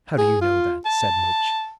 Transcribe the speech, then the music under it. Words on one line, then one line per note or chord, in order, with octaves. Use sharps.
"How do you know that?" said Much.
G#4
F4
A5